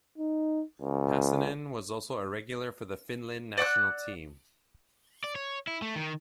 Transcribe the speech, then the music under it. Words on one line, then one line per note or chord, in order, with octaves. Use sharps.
Pasanen was also a regular for the Finland national team.
D#4
C#2
D5 F#5 E6 F#6
D5
C#5
E4
A3
D#3